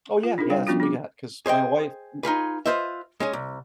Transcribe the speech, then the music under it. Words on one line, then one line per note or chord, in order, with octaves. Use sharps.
Oh yeah, yeah, that's what we got, 'cause my wife y
F4
D4 D#4 F4 G#4 A#4
G3 C#5 F5 G5
F3 B3 C#4 D4 F4 F#4
D4 G#4 D6
G#4 C5 D#5 G5
D#4 F4 G#4 B4
F4 B4 C5 D#5 E5
G#3 C#4 G#4
C2